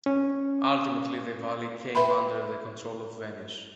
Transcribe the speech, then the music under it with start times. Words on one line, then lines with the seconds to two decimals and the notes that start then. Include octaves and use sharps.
Ultimately the valley came under the control of Venice.
0.06 C#4
1.95 B4 E5 G5 B5 C6